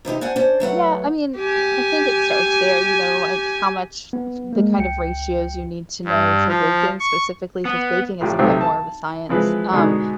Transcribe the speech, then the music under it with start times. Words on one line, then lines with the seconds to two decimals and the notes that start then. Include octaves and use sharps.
Yeah, I mean, I I think it starts there, you know, like how much f the kind of ratios you need to know for baking, specifically, 'cause baking is a bit more of a science, um,
0.05 C3 E3 D#4 G4
0.21 D4 C5 F#5 G#5
0.36 C#4 D4 C5
0.60 F#3 A3 B4 F#5
1.40 G4 G#5
4.13 B3
4.53 G#3 A#3
4.78 C#2 G5 C#7
6.05 G2
6.48 F3
7.00 C#6
7.65 B3
8.21 A#1 A2 F4 G4
8.39 B1 C3 A3 C4 G5
8.61 A5
9.29 E3 F3 G#3 B4
9.72 B2 D3 G#3 B3 D#4 G#4